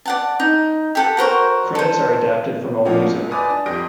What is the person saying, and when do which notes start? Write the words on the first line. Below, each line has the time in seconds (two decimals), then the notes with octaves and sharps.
Credits are adapted from AllMusic.
0.06 D5 F#5 A5
0.40 D#4
0.95 G4 A4 F#5
1.17 F#4 A#4 C5 C#6
1.75 A4 C5
2.85 A#2 F3 F#3 B3 C#4 D4
3.15 C#2
3.32 B4 D5 G#5 D6 D#6
3.50 D4 A5
3.66 F2 G4 D#6 A#6 D7